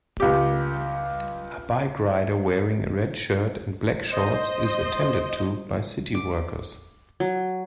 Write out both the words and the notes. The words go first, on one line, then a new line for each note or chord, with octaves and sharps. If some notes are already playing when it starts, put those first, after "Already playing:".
A bike rider wearing a red shirt and black shorts is attended to by city workers.
C#2 G4
C5 D#5
D6
F#3